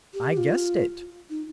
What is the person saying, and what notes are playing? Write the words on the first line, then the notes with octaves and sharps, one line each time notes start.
"I guessed it."
G4
F4
D#4